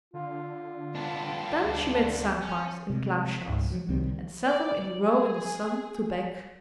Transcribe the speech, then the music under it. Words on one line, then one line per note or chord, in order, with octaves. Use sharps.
Then she made sand-pies in clam-shells and set them in a row in the sun to bake.
D3 F4
B3 D4 F5 G5 A5
D2
C#4
C3 G#3
C#2 G#2
F3 F#3
C2 D#3 G3 C4
D5
G#4